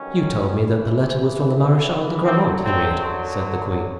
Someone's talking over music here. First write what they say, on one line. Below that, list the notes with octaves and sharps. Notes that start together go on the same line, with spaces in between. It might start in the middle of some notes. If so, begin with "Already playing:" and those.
"You told me that the letter was from the Marechal de Grammont, Henrietta!" said the queen.
Already playing: A1 G2 D#3 F#3 C#4
D2 C#3 E3
F#2 D3 F#3 C4
C4